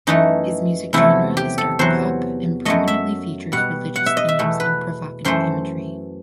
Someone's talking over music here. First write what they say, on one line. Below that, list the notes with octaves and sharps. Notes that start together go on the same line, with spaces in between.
His music genre is dark pop and prominently features religious themes and provocative imagery.
F#2 E3 A3 D#4
E2 C3 F#3 A3 E4
G4
A4
E2 C3 F#3 C5
F#2 F#3 A3 D#5
E5
B2 G3 F#5
F#5
E5
D#5
E5
E2 B2 A3
B4
F#2 E3 A3 C5